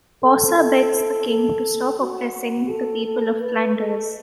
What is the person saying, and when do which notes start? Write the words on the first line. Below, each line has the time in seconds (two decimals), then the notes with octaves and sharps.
Posa begs the King to stop oppressing the people of Flanders.
0.23 A4
0.58 A4
1.29 A4
2.00 F#4
2.70 A4
3.05 A4
3.41 B4
3.77 A4